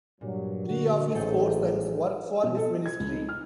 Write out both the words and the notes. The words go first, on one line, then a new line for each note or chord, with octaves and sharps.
Three of his four sons work for his ministry.
G2 A#2 F#3
D3 F#4
A1 G#2 G#4 A4 G5
B2
A4
G#6
C#2
D#4
F6